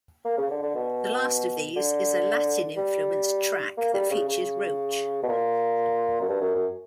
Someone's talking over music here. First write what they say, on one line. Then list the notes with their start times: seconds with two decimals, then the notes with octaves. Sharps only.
The last of these is a Latin-influenced track that features Roach.
0.25 A#3
0.38 C#3
0.50 D3
0.63 D3
0.75 B2
1.76 D3
2.77 G3
3.78 A#3
3.94 G3
4.11 C#3
4.28 C#3
5.23 B2
5.28 A#2
6.21 F#2
6.29 G2
6.41 F#2
6.55 F#2